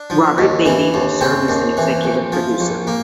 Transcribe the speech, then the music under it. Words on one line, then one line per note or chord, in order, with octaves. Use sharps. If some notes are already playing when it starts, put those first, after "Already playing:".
Robert Beatty will serve as an executive producer.
Already playing: D4
F3
D#2
E3
D#2
C#3 C4
D#2
E3
A#1
F3
A#1
A#3